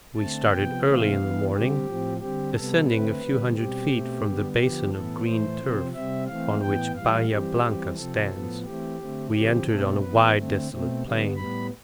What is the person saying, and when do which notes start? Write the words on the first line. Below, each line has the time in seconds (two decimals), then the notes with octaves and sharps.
We started early in the morning; ascending a few hundred feet from the basin of green turf on which Bahia Blanca stands, we entered on a wide desolate plain.
0.16 D3 A3 C4 A5
0.50 C3 F3 B3 G5
0.83 C3 E3 A3 C4 F5
1.17 E3 B3
1.51 D3 G3 C4 G4
1.86 A2 F3 C4
2.19 D3 G3 C4 G4
2.54 C3 G3 B3 A4
2.87 D3 A3 C4 B4
3.21 D3 G3 B3
3.55 B2 G3 C4 G4
3.89 B2 A3 C4
4.23 D3 G3 B3
4.57 D3 F3 B3 G4
4.91 A2 E3 B3 A4
5.25 A2 E3 A3 C5
5.59 C3 F3 C4
5.93 C3 G3 C4 E5
6.26 E3 A3 C4 F5
6.61 A2 E3 B3 G5
6.94 A2 E3 G3 F5
7.28 E3 G3 C4 G4
7.62 E3 G3 C4
7.97 C3 F3 C4 A4
8.31 A2 F3 B3
8.64 E3 A3 C4 G4
8.99 D3 A3 C4
9.33 D3 F3 C4 G4
9.67 B2 A3 C4 A4
10.01 E3 B3 B4
10.34 D3 A3 C4
10.69 B2 A3 C4
11.02 D3 G3 B3
11.36 A2 G3 B3 B5